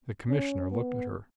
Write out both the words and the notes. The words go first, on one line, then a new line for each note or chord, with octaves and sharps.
The Commissioner looked at her.
C#4
B3